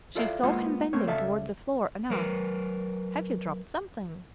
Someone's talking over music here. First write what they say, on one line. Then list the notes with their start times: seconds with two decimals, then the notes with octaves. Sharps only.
She saw him bending toward the floor, and asked, "Have you dropped something?"
0.15 E4 F4 A4 D5 E5 F5
0.43 G#3 A#3 B3 F4 C5 F#5
0.93 A3 A#3 C4 C#5
1.07 C#2 A4 D5 E5 F5 A5
2.10 F#3 A#4 B4